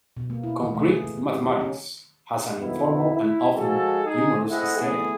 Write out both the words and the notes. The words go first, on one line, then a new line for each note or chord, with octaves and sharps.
"Concrete Mathematics" has an informal and often humorous style.
B2
A#3
E4
E3
A3
G#4
C3
B3
G4
D#4
C#4
F2 B2 D#3 B3 E4
E4
F3 G#3 F#4 G#4 A4
D#4 G#4
A3 C4 E4 G#4 D#5 F#5
E3 A3 B3 G#4